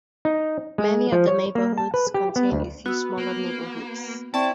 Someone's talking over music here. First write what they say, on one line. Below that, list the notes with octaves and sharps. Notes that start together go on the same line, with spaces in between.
Many of the neighborhoods contain a few smaller neighborhoods.
D#4
G#3
F3
C#5
A#3
A5
B4
G4
B3
D2
B3 F#4 E6
A#3
C4 E4 D5 A5 C#6